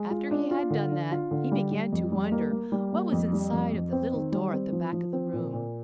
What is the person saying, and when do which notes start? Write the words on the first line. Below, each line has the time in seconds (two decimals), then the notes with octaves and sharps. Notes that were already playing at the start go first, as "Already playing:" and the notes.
After he had done that, he began to wonder what was inside of the little door at the back of the room.
Already playing: G#3
0.11 F4
0.31 D4
0.51 F4
0.71 D3
0.91 D4
1.12 F4
1.31 D3
1.52 G3
1.71 G3
1.92 F2
2.12 G3
2.32 A#3
2.52 A#3
2.72 G3
2.93 A#3
3.12 F2
3.33 G3
3.53 F2
3.73 F2
3.93 C4
4.13 D#3
4.32 G3
4.53 C4
4.72 F3
4.93 F3
5.13 C4
5.33 A#2
5.53 A#2